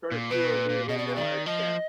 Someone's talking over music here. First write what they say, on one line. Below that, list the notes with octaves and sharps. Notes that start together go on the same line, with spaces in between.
Very few of these are now extant.
A#2
B2 B4
A#2
A#2
B2 D#5
D5
B4
D#3 D5
F3 D#5